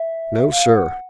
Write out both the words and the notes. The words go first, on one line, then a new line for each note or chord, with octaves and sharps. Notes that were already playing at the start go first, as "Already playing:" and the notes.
No, sir!
Already playing: E5
F5
F#5